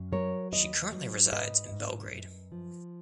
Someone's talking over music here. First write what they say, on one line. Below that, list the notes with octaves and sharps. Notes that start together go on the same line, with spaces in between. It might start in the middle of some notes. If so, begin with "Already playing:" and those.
She currently resides in Belgrade.
Already playing: F#2
F#3 A#4 C#5
D#2 B4 D#5
F#3
G#2 B4 D#5
G#2
F#2
F3